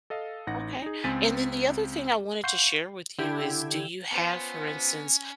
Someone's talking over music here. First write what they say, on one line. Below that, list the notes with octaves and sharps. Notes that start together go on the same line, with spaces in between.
Okay. And then the other thing I wanted to share with you is, do you have, for instance,
A4 D#5 F5
A1 D#4 F#5 A#6
D#4 G#4
C#2 C4 G#5 A6 B6 D#7
F5 F#5 C6 C#6 G6 C7
D3 E4 G4 G5 E6 G#6
B3 C#4 F4 C5 A5